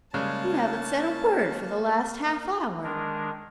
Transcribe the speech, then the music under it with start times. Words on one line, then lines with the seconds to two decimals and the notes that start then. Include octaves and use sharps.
"You haven't said a word for the last half hour."
0.14 C#3 G3 G#3 A#3 C#4 A5
2.84 D#3 G#3 D4 A#4